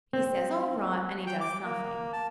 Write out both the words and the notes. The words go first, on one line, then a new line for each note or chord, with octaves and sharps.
He says, 'All right,' and he does nothing.
C4
G5
D6
A#3
A5